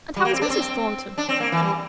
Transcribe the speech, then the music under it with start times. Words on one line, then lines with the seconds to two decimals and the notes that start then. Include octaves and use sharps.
And how is Mrs. Thornton?
0.16 G3
0.25 A#3
0.33 C4
0.41 D4
0.50 C4
1.18 D4
1.29 C4
1.40 A#3
1.52 E3
1.63 G3